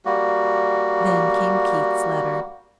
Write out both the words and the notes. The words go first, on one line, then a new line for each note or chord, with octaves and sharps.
Then came Keith's letter.
G3 A#3 F#4